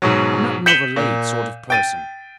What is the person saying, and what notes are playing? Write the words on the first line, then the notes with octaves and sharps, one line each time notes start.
I'm not an overlaid sort of person.
G#2 B2 F#3
G6 B6 C#7 E7 F#7 G7
A#2
G5 A6 D#7